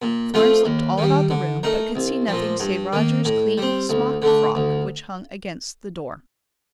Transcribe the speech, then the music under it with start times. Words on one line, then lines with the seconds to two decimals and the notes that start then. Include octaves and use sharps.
Florence looked all about the room, but could see nothing save Roger's clean smock frock which hung against the door.
0.02 A#2
0.34 F3 A3 C4 F4
0.66 D#2
0.98 D#3 G3
1.30 D3
1.63 A3 D#4 A#4
1.95 C2
2.28 A#2 F3
2.60 G2
2.93 D#3 A#3
3.25 A2
3.58 G3 C4
3.89 D2
4.22 D3 A3 D4
4.55 D2